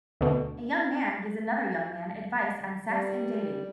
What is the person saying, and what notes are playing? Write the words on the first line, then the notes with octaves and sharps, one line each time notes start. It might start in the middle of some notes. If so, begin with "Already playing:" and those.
A young man gives another young man advise on sex and dating.
D2 B2
G3